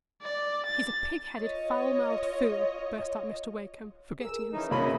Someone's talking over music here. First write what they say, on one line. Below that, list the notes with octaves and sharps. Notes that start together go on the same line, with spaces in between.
"He's a pig-headed, foul-mouthed fool!" burst out Mr. Wakem, forgetting himself.
D5
A6
F4 C#5 D#5
G#4 A#4 E6
C#3 E3 D#4
C#3 B3 E4 F#4 A#4 C#5 D#5 B5